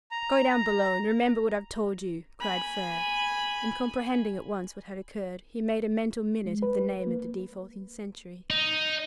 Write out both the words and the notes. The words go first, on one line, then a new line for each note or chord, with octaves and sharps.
"Go down below, and remember what I've told you," cried Frere; and comprehending at once what had occurred, he made a mental minute of the name of the defaulting sentry.
A#5
G#5 B5
G#3
B4
A#3
D#4